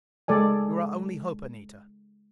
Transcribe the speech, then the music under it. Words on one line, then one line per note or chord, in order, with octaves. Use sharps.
You're our only hope, Anita!
G#3 A4 D5 G#5